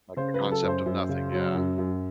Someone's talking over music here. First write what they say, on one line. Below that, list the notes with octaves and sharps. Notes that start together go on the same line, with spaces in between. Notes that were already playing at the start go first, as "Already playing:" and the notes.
Like, the concept of nothing, yeah.
C#3 C5
B4
F#3
A4
F#2
C5
F#2
C#3
F#3
F#2
F#2